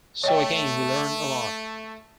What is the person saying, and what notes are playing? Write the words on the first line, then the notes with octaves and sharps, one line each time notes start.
So again, we learned a lot.
A3 C#5 D#5 G5